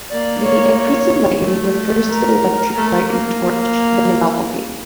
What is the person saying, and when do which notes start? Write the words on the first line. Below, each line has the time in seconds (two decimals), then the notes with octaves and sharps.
The "imprisoned lightning" refers to the electric light in the torch, then a novelty.
0.11 A#3 D5
0.44 C#5
0.78 C#5
1.43 A3
2.09 A#4
2.75 A3
3.08 A#3